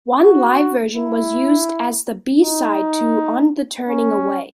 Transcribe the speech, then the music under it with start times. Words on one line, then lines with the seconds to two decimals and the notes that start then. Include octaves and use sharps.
One live version was used as the B-side to "On the Turning Away".
0.22 F#4
0.96 E4
2.42 D#4
3.90 C#4